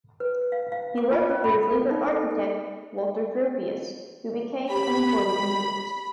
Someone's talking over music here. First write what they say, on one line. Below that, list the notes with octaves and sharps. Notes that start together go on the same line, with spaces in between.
He worked briefly for architect Walter Gropius, who became an important influence.
B4
F5
F5
D6
F4
C#4
B5
A4
D#4
A4
A4
G4 B5